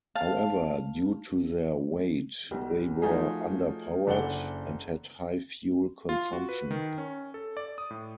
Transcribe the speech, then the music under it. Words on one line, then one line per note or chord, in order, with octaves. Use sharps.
However, due to their weight they were underpowered and had high fuel consumption.
F5 A5
B1 G3
F3 A3 D#4 F4 F#4 G#4
F#1 D4 A4 D5 F#5 G7
F4
F#4
B4
D#3
C#4
A4
D5
D#6
A2